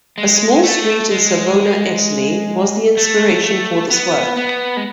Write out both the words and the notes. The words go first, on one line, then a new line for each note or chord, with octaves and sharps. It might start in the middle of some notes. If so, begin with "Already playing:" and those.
A small street in Savona, Italy, was the inspiration for this work.
G#3
A3
G#3
A3
A3
B3
B3
G#3